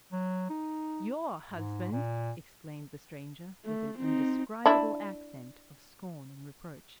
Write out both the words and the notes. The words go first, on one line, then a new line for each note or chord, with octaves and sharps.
"YOUR husband!" exclaimed the stranger, with an indescribable accent of scorn and reproach.
F#3
D#4
G#2
A#2
A3
C4 D#4
D4 E4